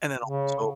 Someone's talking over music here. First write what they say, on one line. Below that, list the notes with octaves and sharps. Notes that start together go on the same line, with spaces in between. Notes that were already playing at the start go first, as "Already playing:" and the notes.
and then also
C#3